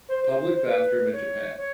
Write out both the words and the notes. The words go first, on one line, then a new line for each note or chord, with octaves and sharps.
public bathroom in Japan.
C5
C5
C5
B4
C#5
C#5